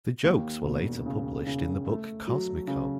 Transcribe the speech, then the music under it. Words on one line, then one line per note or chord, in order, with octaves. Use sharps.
The jokes were later published in the book Cosmico!
D#2
E1
C#3
C#3
A3
F#3
C#3